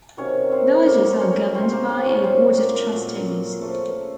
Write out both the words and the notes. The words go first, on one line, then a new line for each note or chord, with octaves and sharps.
Villages are governed by a board of trustees.
C3 D#3 F#3 C#4 C#5
C4 C5
C5
A2 F#3 A3 A#3 A#4
A#4
C5
C#4 C#5
C3 F#3 A3 C4 C5
A#3 A#4
C4 C5
C#4 C#5
A#2 F#3 A3 C4 C5
A#3 A#4
A#2 F#3 A3
C#3 F3 A3